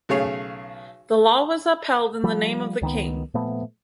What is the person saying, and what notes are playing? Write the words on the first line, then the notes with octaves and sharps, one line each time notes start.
The law was upheld in the name of the King.
B1 C#3 A3 G#4 C#5 F5
F3 G3
C#2 D#3 G#3 B3
A#2 F3 A3 B3